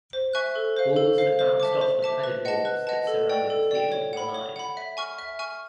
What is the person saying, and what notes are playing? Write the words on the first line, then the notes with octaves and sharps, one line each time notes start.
Balls that bounced off the padded walls that surrounded the field were live.
C5
E5 G#5 C#6 F#6
A4
C5 F5
A4
C5 F5
C5
E5 A5 D6
C5
E5 A5 D6
B4
D#5 F#5 A5
B4
D#5 F#5 A5
A4
D5 G5
A4
D5 G5
C#5
F#5 B5
C#5
F#5 B5
E5
G#5 C#6 F6
E5
G#5 C#6 F6